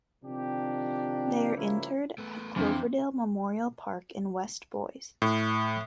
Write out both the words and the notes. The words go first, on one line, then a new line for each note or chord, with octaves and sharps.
They are interred at Cloverdale Memorial Park in west Boise.
C3 D#3 F3 D4 G4
C#3 F3 G3 A#3 C#4 E4
A3 B3
F2 C3 E3 D4
A2